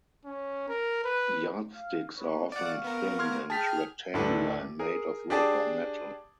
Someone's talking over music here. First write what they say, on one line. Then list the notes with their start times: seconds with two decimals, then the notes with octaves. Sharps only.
Yardsticks are often thin and rectangular, and made of wood or metal.
0.25 C#4
0.68 A#4
1.04 B4
1.73 F5
2.17 B4 C#5
2.52 F#4 D5 F5 F#5
2.84 B3 A#4
3.19 C6 F6 G#6
3.50 G#4 G5 A5 F6 B6
4.14 D2 A2 D4 A4 B4
4.79 G#4 A#4
5.30 D4 G4 G#4 D5 A5